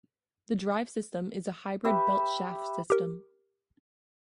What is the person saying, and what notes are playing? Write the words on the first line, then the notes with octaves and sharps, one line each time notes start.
The drive system is a hybrid belt-shaft system.
G4 B4 E5
G4 A#4